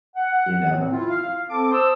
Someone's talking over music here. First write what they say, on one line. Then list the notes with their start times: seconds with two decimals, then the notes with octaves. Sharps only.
you know, uh,
0.15 F#5
0.71 A2 C4
0.92 E4 F4
1.10 F5
1.49 C4 A4 A5 D6
1.71 C5 A5 D#6 E6